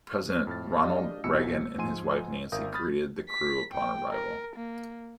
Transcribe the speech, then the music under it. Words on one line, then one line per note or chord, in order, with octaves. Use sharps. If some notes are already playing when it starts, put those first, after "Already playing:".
President Ronald Reagan and his wife Nancy greeted the crew upon arrival.
F2 A2 F6 A6
D4 G4 D5 D#5 F5
B1 F2 B2 E3 E6 C#7
G#2 F3 G#5 C6 D#7
G#1 A#4 E5 F5 D#6 G6
B5 D#6 F6 G6 A6
B6
G5
A#4
A#3